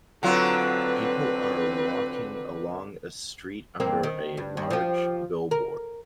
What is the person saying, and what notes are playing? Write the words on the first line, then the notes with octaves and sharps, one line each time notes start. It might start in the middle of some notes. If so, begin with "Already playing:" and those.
People are walking along a street under a large billboard.
D3 F#3 C4 F4 B4
G2 A#3 C4
D#3
G2
G2
F3 G4
A#4